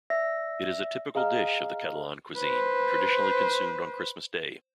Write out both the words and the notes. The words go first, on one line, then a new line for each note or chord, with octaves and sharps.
It is a typical dish of the Catalan cuisine, traditionally consumed on Christmas day.
D5 E5 E6 A#6
G#4 D#5 F5 A#5 F6
B4 C5